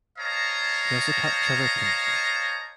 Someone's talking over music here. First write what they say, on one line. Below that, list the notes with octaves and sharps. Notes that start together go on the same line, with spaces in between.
He also taught Trevor Pinnock.
C5 C#5 D#5 F5 A5 A#5